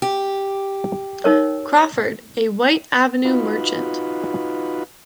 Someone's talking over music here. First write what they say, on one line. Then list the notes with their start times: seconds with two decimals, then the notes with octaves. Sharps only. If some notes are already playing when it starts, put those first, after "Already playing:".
Crawford, a Whyte Avenue merchant.
0.02 G4
1.24 D#4 A#4 C#5
3.25 D#4 F4 F#4 B4